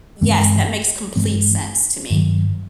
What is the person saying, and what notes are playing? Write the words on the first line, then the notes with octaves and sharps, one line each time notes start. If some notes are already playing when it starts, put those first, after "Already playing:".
Yes, that makes complete sense to me.
G2 E3 G#3 C4
G2 E3 G#3 C4
G2 D#3 F#3